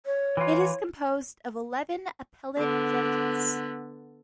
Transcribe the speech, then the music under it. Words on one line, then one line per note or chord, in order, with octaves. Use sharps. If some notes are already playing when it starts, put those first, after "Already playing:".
It is composed of eleven appellate judges.
C#5
E3 F4
D3 B3